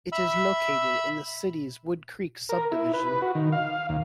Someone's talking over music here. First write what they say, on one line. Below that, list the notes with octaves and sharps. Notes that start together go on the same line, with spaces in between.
It is located in the city's WoodCreek subdivision.
E5 B5 E6
A#4
E4
B4
F#4
D#3
F5
D#2